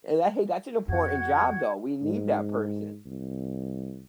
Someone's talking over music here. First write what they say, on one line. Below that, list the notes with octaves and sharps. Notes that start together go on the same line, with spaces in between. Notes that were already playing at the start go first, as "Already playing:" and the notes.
Eh, ga hey. That's an important job, though. We need that person.
F2 F#4 F#5 G#6
G#2
C2